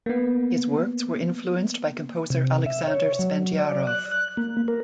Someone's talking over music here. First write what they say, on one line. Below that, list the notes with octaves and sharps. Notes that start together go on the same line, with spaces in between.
His works were influenced by composer Alexander Spendiarov.
A#3 B3
C3
E5
C#5
F#3
D5
F#6
F#6
A#3
A#4